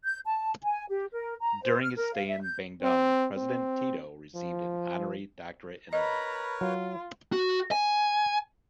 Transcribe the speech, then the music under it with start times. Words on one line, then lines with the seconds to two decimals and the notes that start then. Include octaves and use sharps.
During his stay in Bandung president Tito received an honorary doctorate in law.
0.04 G6
0.25 A5
0.63 G#5
0.88 G4
1.12 A#4
1.40 A#5
1.62 C5
1.81 F6
1.95 A#4
2.14 F5
2.27 E5
2.40 G6
2.82 C4
3.36 C4
4.35 F3
5.93 A#4 B4 C#5 D#5 A#5 B5
6.61 F#3 F4
7.33 F#4
7.71 G#5